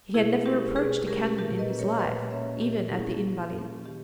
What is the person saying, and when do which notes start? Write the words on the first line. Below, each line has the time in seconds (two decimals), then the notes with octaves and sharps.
He had never approached a cannon in his life, even at the Invalides.
0.14 B2 E4 G#4
0.45 G#3 C#4 G4 A#4
0.76 B2 G#4 B4
1.07 G#3 C#4 G4 A#4
1.38 A#2 G4 A#4
1.58 B4 D#5
1.68 A#3 C#4
1.79 A#4 C#5
1.99 A#2 B4 D#5
2.30 A#3 C#4 C#5 E5
2.61 A#2 G4 A#4
2.92 A#3 C#4 E4 G#4
3.23 A#2
3.54 A#3 C#4
3.86 D#3 G4